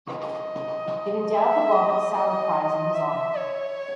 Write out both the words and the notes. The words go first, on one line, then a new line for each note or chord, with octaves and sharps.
It endowed the Robert Sauer Prize in his honor.
D#5
E5
D#5
D#5
E5
C#5